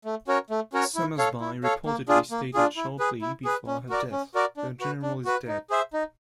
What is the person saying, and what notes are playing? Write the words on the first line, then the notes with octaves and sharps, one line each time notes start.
Summersby reportedly stated shortly before her death: The General is dead.
A3
C#4 F#4 A#4 C#5
A3
C#4 F#4 A#4 C#5
E4
A4 C#5 F5
E4
A4 C#5 F5
A#3
D4 F4 G#4
A#3
D4 F4 G#4
E4
G#4 B4
E4
G#4 B4
C#4
F#4 A#4 D5
C#4
F#4 A#4 D5
D4
F#4 B4
D4
F#4 B4
D#4
G#4 C5 E5
D#4